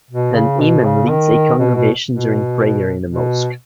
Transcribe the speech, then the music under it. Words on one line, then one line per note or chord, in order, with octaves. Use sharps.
An Imam leads a congregation during prayer in a mosque.
B2
C#3
B2
C#3
D#3
B2
B2
B2
B2